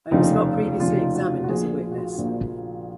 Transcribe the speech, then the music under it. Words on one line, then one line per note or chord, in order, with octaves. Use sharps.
I was not previously examined as a witness.
F1 D#2 C#3 F3 D#4
F1 D#2 C#3 F3 F4
D#4
F#4
F#4
F#4
A#1 A#2 F3 G#4
F4
F#4
F4
A#1 A#2 F3